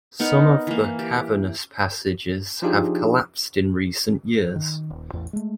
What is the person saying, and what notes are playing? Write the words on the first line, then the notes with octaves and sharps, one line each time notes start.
Some of the cavernous passages have collapsed in recent years.
B3 D#4 A#4 F#5
E3 A#3
G4
F3 D4 D#4 F4 G4 G#4
D#3
D#1
A1 E2
G#3 A3